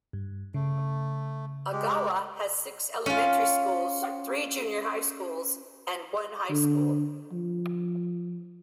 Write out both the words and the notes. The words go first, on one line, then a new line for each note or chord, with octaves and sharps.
Ogawa has six elementary schools, three junior high schools, and one high school.
G2
C#3 A3
G#3 G4
C#4 F4
D3
F3